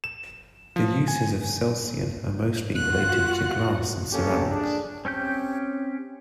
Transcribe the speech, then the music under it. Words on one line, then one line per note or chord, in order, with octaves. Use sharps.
The uses of celsian are mostly related to glass and ceramics.
E7
F3
G#5
F4 F#4 F#5 F#6
A#3 C#4 G4 A4
D4 G#4
C4 C#4 G4 G6